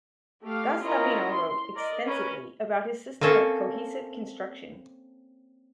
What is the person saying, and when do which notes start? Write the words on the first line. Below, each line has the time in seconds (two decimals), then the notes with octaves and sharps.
Guastavino wrote extensively about his system of "Cohesive Construction".
0.44 A3 G4 F5
0.82 C#4 E4 F4 A#4 D#5 A#5
1.34 C6
1.75 A#4 D5 D#5
2.07 C#4 A#4 B4
3.21 A#3 C4 C#4 A4 E5